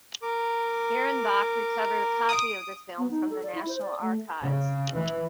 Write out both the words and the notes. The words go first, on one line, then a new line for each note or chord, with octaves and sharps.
Birrenbach, recovered a copy of the film from the National Archives.
A#4 D6
D#6 D7
B3
D#4
A4
D5
E4
C5
D5
A3
C#3
E3